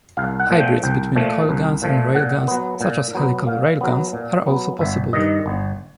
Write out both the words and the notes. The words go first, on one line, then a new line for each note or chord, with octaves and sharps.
Hybrids between coilguns and railguns such as helical railguns are also possible.
C2 F5
F#5
A#2 F3 A3
G5
C2 G5
A#2 F3 A3
C2
A#2 F3 A3
A#2 F#5
F#3 B3
A#2
F#3 B3
A#2 F5
F#3 B3
A#2
F#3 B3
G1 E5
G2 D#3 D#5
G1